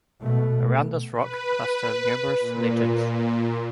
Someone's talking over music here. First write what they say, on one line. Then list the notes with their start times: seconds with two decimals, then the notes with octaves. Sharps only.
Around this rock cluster numerous legends.
0.21 B2 A3
1.13 B4
2.39 A#2